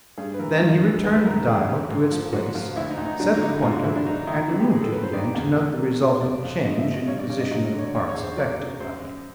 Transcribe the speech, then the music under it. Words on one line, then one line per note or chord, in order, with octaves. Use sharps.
Then he returned the dial to its place, set the pointer, and removed it again to note the resultant change in the position of the parts affected by the act.
G2 G#4
B4
E3 A#4
G2
E3
E2 B4
B4
E2 A#4
A4
E3 G#4
C3 G4
G#2
F3
G#2 F#4
F3 F4
D2 E4
D#4
D2
D#4
F#3 D4
D#4
D3
E4
G#2 F4
F#4
G#2 E4
D4
F#3 D#4
D#3 E4
F#2 F#4
G4
F#2 G#4
A4
F#3 B4
C5
D#3 D5
E2
E2
F#3
B2
F2 D5
F2
F3 D#5
E5
C3
D#5
G2 C#5
D5
G2
D#5
F#3 D#5
D3
C#5
D5
E2 C#5
C#5
E2
C5
F#3 D5
C#3
F#2 C5
F#2